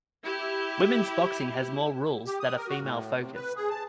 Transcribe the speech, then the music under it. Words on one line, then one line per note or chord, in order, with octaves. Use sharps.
Women's boxing has more rules that are female focused.
E4 G4
G4
D#6
A#4
F#4
A2
C3
B4
G#4
A5